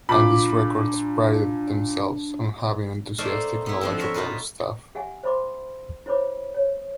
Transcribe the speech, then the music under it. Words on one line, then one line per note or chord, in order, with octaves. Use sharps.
Andys Records prided themselves on having enthusiastic knowledgeable staff.
A#2 D4 B5 D6
A3 A#3 D#4 C5 D5 F5
B3 E4
D3 F3 C4
A#4 C#5 E5
B2 D#4 F4 B4
G4 E5 F#5 G#5
C5 E5 B5 C6 D6
E4 C5 C#5 B5 D6
C#5